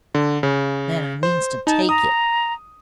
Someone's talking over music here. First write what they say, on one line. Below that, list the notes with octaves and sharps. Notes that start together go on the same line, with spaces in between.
"Then I means to take it."
D3
C#3
C5
D#4 A5
A#5 D#6